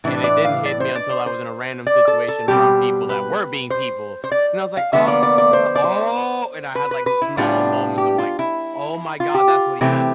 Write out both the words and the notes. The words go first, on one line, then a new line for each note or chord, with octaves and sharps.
and it didn't hit me until I was in a random situation around people that were being people, and I was like, "Oh, oh!" And I had, like, small moments of, like, "Oh my god, that's what he meant."
A2 E3 D4
D5
F5
D5
C5
D5
C5
C5
D5
A4
A4
B2 G3 C4 G4
B4
C5
C5
D5
F5
D3 F3 B3 E5
D5
D5
D5
C5
D5
C5
B4
B4
B4
E4
A2 G3 B3 D4 F4
G4
F4
E4
F4
G4
F4
C3 E3 A3 C4 G4